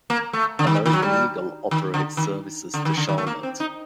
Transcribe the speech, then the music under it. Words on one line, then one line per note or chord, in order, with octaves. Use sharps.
American Eagle operates services to Charlotte.
A#3
A3
D3
D#3
D#3
F#3
G3
D#3
D3
D#3
D3
D#3
D3
D#3
A3
A#3
C4
D#4